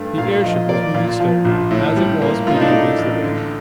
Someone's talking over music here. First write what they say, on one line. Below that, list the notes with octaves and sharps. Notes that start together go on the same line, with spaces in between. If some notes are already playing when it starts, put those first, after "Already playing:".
The airship was moving slowly, as it was beating against the wind.
Already playing: G2 A3
A#2 F5
F3 D#5
A#3 D5
A#2 F4
F3
A#1
A2
G3
A#3
A2 F4
D#4
D4
A3 D#4
A1
D3